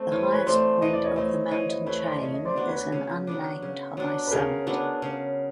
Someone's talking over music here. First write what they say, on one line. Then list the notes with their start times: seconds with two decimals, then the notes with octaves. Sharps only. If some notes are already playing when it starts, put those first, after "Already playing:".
The highest point of the mountain chain is an unnamed high summit.
Already playing: A3 C4
0.12 E3 C#5
0.22 C5
0.32 B4 C#5
0.47 A3 C4 C5 D5
0.81 E3 D#5
0.93 D5
1.04 C#5 D#5
1.16 A3 C4 C#5 D#5
1.51 E3 C#5 D#5
1.69 C#5 D#5
1.86 A3 C4 B4 C#5
2.04 C5 D5
2.21 C#3 C#5 D#5
2.34 D#5
2.45 C5 D5
2.56 F#3 B3 D4
2.68 B4 C#5
2.92 C#3
3.27 F#3 B3 D4
3.62 C#3
3.97 F#3 B3 D4
4.27 B4
4.31 C#3 G#4 A#4
4.67 F#3 B3 D4
5.02 C#3